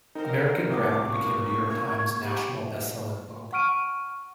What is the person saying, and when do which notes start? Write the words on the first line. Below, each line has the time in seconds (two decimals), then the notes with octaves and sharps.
"American Ground" became a "New York Times" national bestselling book.
0.15 C4 D#4 A#4 C5
0.70 C2 E5 F#5 D6 D#6
1.08 A#2 C#3 A#3 C#6
1.70 G#6
2.23 G4 B5 C#6
3.53 F#5 C#6 F6 D7 D#7